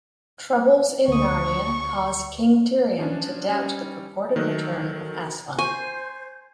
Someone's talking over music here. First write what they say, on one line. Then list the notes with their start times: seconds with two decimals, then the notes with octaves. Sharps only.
Troubles in Narnia cause King Tirian to doubt the purported return of Aslan.
1.08 D2 C#6 D#6
2.99 F3 C#4 D4
3.48 G3 C#4
4.36 D#3 F#3 A4 D#5 F#6
5.59 C5 G#5 C#6